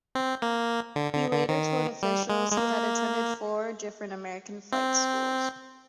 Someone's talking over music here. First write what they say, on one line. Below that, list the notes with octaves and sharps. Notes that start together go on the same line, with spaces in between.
He later told officials he had attended four different American flight schools.
C4
A#3
D3
D3
D3
D#3
G3
G#3
G#3
A#3
C4